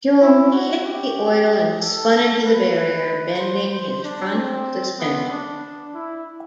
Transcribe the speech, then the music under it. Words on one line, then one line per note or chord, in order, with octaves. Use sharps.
Hulme hit the oil and spun into the barrier, bending his front suspension.
E4
F#4
G4
A4
B4
C5
C5
D4
C4
B3
D4
E4